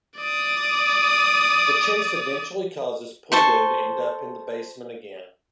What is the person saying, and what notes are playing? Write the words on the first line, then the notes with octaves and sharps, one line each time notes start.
The chase eventually causes Pluto to end up in the basement again.
D5 D#6
A4 C5 C#6